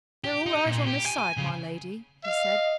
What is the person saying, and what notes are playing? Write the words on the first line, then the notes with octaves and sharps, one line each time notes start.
"They're all right on this side, my lady," he said.
G4
D#4
A#2
G4
G#5
G#5
C#3
D#5 F5